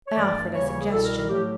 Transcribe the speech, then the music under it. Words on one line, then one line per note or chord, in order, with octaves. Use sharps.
I offered a suggestion.
C#5
G2 E3 A3 D5
D#2 C#3 E3 G3 C#5
C#5
G#4
C2 B2 G3 A4
A#4
A#4
A2 F#3 A3 G4